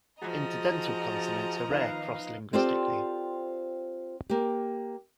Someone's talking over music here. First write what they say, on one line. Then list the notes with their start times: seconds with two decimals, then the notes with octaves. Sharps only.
Interdental consonants are rare cross-linguistically.
0.22 F3 F#4 G#4 D#5 A5 A#5
1.69 D#3 D#4 B4 F5
2.53 C4 F4 G4 A4 C5 D5
4.29 A#3 G4